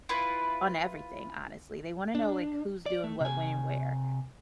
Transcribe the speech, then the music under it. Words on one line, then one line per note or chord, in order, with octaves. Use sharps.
on everything, honestly, they wanna know, like, who's doing what, when and where,
E4 F4 B4
D4
D5
A3
C3 G#5